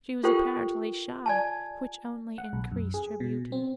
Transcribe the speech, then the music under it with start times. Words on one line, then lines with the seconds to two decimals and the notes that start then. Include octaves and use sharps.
She was apparently shy, which only increased her beauty.
0.23 F4 G4 A4 A#4 C5 G5
1.26 D5 G#5 A5
2.38 F#5
2.53 B1
2.72 F#2
2.94 G#4
3.20 B2
3.52 C4